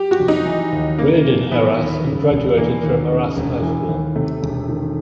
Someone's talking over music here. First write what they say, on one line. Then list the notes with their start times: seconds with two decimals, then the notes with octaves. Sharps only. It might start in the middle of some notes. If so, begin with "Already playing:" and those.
Reared in Erath and graduated from Erath High School.
Already playing: G4
0.11 F#4
0.20 F1
0.28 D#4
0.46 E3
0.73 D#2
0.98 C#3 A#3
1.25 F1
1.51 E3 B3
1.78 D#2
2.04 C#3
2.30 E1
2.57 E3 A#3
2.83 D#2
3.10 C#3
3.37 E1
3.63 E3
3.89 D#2
4.15 C3 A3
4.43 E1
4.69 D#3